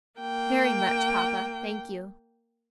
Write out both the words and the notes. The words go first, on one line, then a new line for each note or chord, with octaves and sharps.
"Very much, papa, thank you."
A#3 G5